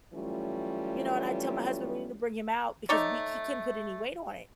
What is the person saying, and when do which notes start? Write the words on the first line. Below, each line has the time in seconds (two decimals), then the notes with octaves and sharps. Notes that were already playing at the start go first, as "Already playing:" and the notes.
you know, and I tell my husband we need to bring him out because we he couldn't put any weight on it,
0.14 E3 F#3 G3 A3 C#4 F4
2.89 A3 D#4 C#5 D5